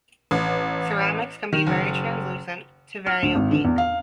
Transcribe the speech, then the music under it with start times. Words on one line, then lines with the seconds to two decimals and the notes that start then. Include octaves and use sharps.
Ceramics can be very translucent to very opaque.
0.31 A1
1.53 D#3
1.67 F#1
3.07 F6
3.22 D2
3.35 G#1
3.51 D3
3.64 E2
3.78 F5